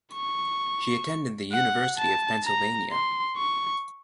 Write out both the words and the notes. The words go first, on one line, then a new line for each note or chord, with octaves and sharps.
She attended the University of Pennsylvania.
C#6
F#5
A5
A#5
C6
C#6